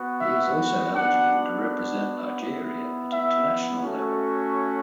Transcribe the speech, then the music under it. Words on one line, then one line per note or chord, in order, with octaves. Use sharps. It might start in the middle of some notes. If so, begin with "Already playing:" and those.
He is also eligible to represent Nigeria at international level.
Already playing: B3 F#4
E5
B3 D4 F#4 F#5
B3 E4
E5
A3 C#4 F#4